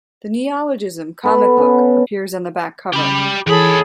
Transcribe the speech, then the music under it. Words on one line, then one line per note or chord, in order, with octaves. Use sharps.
The neologism "comic book" appears on the back cover.
B3 A4 B4 F#5
B3 C#4
C#3 G4 B5
D#2 E3 G#4 A4 C#5 B5